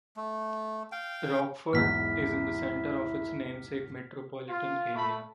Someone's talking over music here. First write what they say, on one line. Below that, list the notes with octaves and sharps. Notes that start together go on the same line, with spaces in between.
Rockford is in the center of its namesake metropolitan area.
A3
F5 G5
B1 E2 G#2 E4 F6 B6
F4
A3 B5